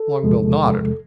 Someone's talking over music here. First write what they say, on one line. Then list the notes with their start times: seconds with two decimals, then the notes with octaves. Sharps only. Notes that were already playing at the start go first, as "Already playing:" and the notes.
Longbill nodded.
Already playing: A4
0.23 E2 C3 F3 G#3